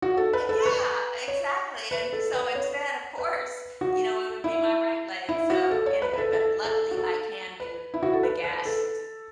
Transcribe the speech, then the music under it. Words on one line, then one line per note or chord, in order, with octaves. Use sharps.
Yeah, exactly, and so instead, of course, you know, it would be my right leg, so anyway. But luckily, I can do the gas to th
F#4
A4
B4
A4
B4
C#5
B4
A4
B4
C#5
B4
F#4
E4
E4
F#4
A4
C#5
B4
B4
A4
A4
A4
F#4
A4
B4
E4
F#4
A4
B4
B4
A4